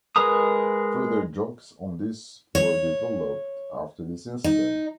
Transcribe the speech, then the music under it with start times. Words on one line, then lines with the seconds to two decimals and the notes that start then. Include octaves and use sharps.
Further jokes on this were developed after this incident.
0.16 G#3 A#4 B4 A#5 D#6
2.55 C#5
4.44 D#4